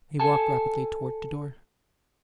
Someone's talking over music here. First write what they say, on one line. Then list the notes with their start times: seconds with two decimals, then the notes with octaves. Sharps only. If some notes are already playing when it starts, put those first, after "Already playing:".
He walked rapidly towards the door.
0.20 A4 G#5 A5